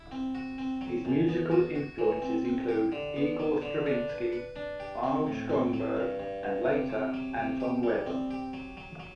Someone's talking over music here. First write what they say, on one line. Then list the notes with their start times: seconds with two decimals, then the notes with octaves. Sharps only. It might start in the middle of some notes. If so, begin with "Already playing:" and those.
His musical influences include Igor Stravinsky, Arnold Schoenberg, and later Anton Webern.
Already playing: E4
0.11 C4
0.35 F#4
0.58 C4
0.81 F#3
1.05 F#2
1.28 B3
1.51 F#4
1.75 F#4
1.98 E3
2.22 C4
2.45 C4
2.68 G4
2.92 D3
3.16 B3
3.40 F#3
3.62 D3
3.86 D4
4.09 B4
4.33 B4
4.56 D4
4.80 G4
5.03 C4
5.27 A2
5.50 C4
5.73 F#3
5.97 G2
6.19 G2
6.43 G2
6.66 C3
6.90 C3
7.14 F#3
7.36 C3
7.60 G4
7.83 G3
8.06 C4
8.31 G4
8.53 F#3
8.77 F#3
9.00 F#3